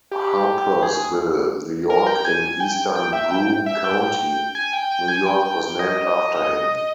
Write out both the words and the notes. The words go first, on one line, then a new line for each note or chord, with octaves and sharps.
Harpursville, New York in Eastern Broome County, New York was named after him.
G4
G#4
A#4
G5
G#5
G5
G5
G5
E5
G5
E5
G5
G#5
G5
G5
G#5
G5
G5
D#5